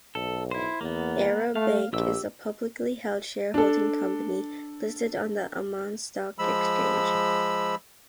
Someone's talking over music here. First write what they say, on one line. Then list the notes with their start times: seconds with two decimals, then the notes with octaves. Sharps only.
Arab Bank is a publicly held shareholding company listed on the Amman Stock Exchange.
0.15 B1 A4
0.51 E4 C5
0.81 E2 A#3 B3
1.55 A3 F5
1.93 A#1 G4 E6
3.54 D4 A4
6.39 F3 G#3 B5 E6